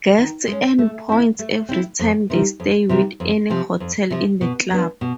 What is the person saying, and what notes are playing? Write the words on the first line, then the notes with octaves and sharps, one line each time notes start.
Guests earn points every time they stay with any hotel in the club.
D#3
G#3 C#4
A3
C4 E4
A3
C4 E4
F2
C3 D#3 G3
F2
C3 D#3 G3
F2
C3 F3
F2
C3 F3
B2
F#3 B3 D4
B2